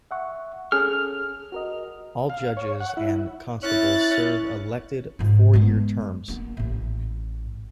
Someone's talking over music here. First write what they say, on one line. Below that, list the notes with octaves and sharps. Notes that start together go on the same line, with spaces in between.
All judges and constables serve elected four-year terms.
E5 F#5 C#6
C#4 G#4 A4 F6
F#4 A#4 D#5
F5
C#5
F#5
E4
C#4 E4 F#6 A6
C#4
G#2 F4
G#3 B3
A#3 B3
A1 A2